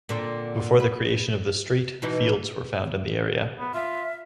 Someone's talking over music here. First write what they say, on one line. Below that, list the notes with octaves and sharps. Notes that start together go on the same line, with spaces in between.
Before the creation of the street fields were found in the area.
A#2 D3 C4
B4
B2 E3 D#4
B3
F4 E5